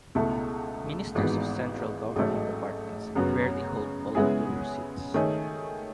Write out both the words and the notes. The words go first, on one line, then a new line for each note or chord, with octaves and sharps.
Ministers of central government departments rarely hold Politburo seats.
C#2 B2 A3 E4 A4
G#1 G#2 E3 B3 F#4
A1 G#2 F#3 A3
F#2 C#3 F#3 B3
C#3 G#3 B3 E4 G#4
D#3 A3 C#4 G#4 D#5